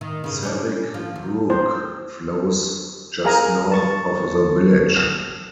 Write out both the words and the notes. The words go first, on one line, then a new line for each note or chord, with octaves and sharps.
Savick Brook flows just north of the village.
D#3
G2 C#3
G3 C#4 D4
F3
E2
C5
G#4 A#4 F5 G#5 A#5
A5 C#6 A6